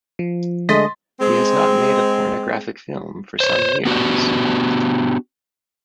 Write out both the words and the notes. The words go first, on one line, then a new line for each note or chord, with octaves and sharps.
He has not made a pornographic film for some years.
F3
D3 G#3 A3 D#5 C6 A6 B6
G#3 C4
C5 C#5
B3 D4 F#4 G4